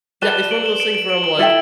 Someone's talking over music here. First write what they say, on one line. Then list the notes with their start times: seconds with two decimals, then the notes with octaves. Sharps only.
Yeah, it's one of those things where I'm like,
0.22 B4 D5 A5 E7 G7
0.51 D7 F#7
0.66 E7 G7
0.80 D7 F#7
0.95 D7 F#7
1.09 D7 F#7
1.24 D7 F#7
1.39 E4 A4 E5 G5